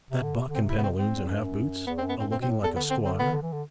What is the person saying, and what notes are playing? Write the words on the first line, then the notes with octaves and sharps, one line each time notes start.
'That buck in pantaloons and half-boots--a looking like a squire?'
C3
D3
C3
D3
C4
C3
E4
B3
C4
C4
E2
F#2
G2
F#2
E2 B3
C4
F#2
B3
F#2 C4
G2 C4
B2
C4
A2
E2 A4
D3 B3
C4
C4
D3 B3
D3
E3
D3